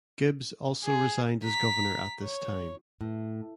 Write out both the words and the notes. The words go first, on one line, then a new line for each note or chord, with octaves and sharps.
Gibbs also resigned as Governor at this time.
G#4
A#5 B6
C#5
A2